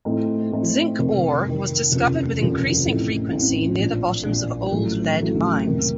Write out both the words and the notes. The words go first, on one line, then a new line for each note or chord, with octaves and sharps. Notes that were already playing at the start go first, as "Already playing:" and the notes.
Zinc ore was discovered with increasing frequency near the bottoms of old lead mines.
A2 A3 C4 D#4
A2 A3 C4 D#4
F1 F2 D#3
F1 F2 D#3
F1 D#2 C#3 F3
F1 D#2 C#3 F3
A1 A2 A3 C4 D#4
A1 A2 A3 C4 D#4
A#1 A#2 F3
A#1 A#2 F3
A1 A2 F#3 A3
A1 A2 F#3 A3
F1 F2 D#3 A#3